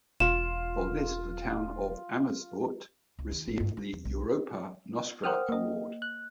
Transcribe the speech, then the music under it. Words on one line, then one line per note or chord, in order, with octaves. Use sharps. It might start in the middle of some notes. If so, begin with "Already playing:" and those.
For this the town of Amersfoort received the Europa Nostra Award.
E1 F4 E7
C#2
D#3
G#1
G2
D#4
E2
B1
A#4 C5 F#5 G5 D#6 F6
A#3 D#5
F#6